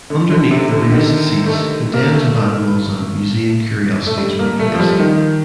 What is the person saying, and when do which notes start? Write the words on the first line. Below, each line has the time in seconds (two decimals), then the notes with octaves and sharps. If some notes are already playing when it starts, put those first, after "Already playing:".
Underneath the raised seats the dens of animals and museum curiosities were placed.
0.10 D3
0.30 D3
0.51 C3
0.71 D3
0.92 D#3
1.46 A3
1.94 A#3
2.13 A3
2.34 A3
4.06 A3
4.17 G3
4.39 A#3
4.59 A3
4.74 F3
4.80 G3
5.00 D#3